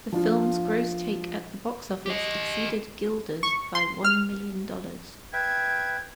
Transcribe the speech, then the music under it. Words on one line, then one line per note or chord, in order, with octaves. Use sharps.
The film's gross take at the box office exceeded "Gilda"'s by one million dollars.
F3 D4 F4
G4 D#5
C#6
C6
F6
B4 E5 G5 G#6